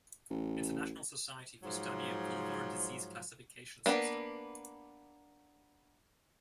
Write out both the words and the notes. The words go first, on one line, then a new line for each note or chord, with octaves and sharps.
International Society for Study of Vulvar Disease classification system.
A1
G#2 F3 F#3
A#3 B3 D4 B4